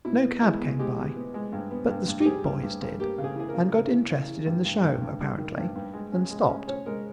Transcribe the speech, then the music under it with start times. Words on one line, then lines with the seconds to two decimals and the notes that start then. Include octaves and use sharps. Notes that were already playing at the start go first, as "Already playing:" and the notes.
No cab came by, but the street boys did, and got interested in the show, apparently, and stopped.
0.05 B2 E4
0.24 B3
0.42 G#3 E4
0.60 B2
0.79 G#3 G4
0.98 B2
1.15 B3
1.34 G#3
1.52 G2
1.71 B3
1.89 G2
2.08 G2
2.20 G4
2.26 G3 G#4
2.44 G2
2.63 G2
2.82 G2
2.99 A#3 G4
3.18 C#3
3.24 G#4
3.36 E3 G#4
3.49 A#4
3.54 C#3
3.72 C#3 A#4
3.92 E3
4.10 C#3
4.28 E3
4.46 G2
4.65 G2
4.83 G2
5.01 G2
5.21 G3
5.38 D#3
5.57 G2
5.75 G2
5.93 G#3
6.12 C#4
6.31 G#3
6.49 C#4
6.68 C#4 C#5
6.86 G#3 A#4